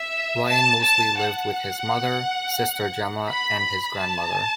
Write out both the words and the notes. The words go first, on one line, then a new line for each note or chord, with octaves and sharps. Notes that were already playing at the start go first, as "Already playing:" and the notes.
Ryan mostly lived with his mother, sister Gemma and his grandmother.
Already playing: E5
A5
A5
F#5
B5
A5